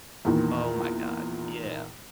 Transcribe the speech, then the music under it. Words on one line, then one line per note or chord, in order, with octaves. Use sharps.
oh my god. Yeah.
E2 A#2 D#3